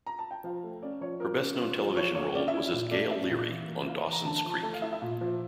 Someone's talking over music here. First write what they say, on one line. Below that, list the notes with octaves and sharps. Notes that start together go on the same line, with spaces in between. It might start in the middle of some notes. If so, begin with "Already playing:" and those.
Her best known television role was as Gail Leery on "Dawson's Creek".
A#5
A5
G5
F3 F5
A3
C#4 D5
F3 C#5
F3 A#4
C#4
F4
F3
F3 C#5
A#3 C#5
C#4 D5
E5
E4
A#2
A3 D5
C#4 E5
A#2
E3
A#3
E4 F5
E3
A#5
D3 A5
A5
F3
A5
A3 A5
F5
E4 E5
E5
A#2
F3